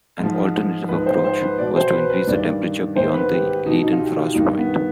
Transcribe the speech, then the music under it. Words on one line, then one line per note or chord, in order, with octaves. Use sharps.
An alternative approach was to increase the temperature beyond the Leidenfrost point.
G#2 F3
G#2 F3 B4
C5
C5
B4
B2 D5
C5
B4
B4
G2 D#3 D5
G#2 D#3 C5
B4
G4
G4
B2 D#4
D#4
F4
G4
F4
G2 D#3 D#4
B3